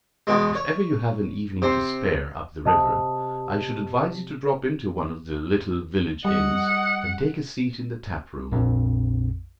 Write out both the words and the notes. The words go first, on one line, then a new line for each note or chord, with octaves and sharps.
If ever you have an evening to spare, up the river, I should advise you to drop into one of the little village inns, and take a seat in the tap-room.
E2 B2 G#3
C#5
C3 C5
C3 D#5 A5 D#6
G3 D#5 F#5
A#1 F2